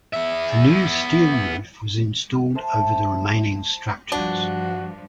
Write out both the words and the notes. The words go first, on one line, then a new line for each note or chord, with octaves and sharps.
A new steel roof was installed over the remaining structures.
B3 E5
C5 E5 G#5 A5
G2 F3 D4 F#4